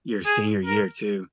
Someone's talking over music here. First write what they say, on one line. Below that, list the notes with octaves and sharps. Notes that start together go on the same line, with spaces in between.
Your senior year too.
G#4
A#4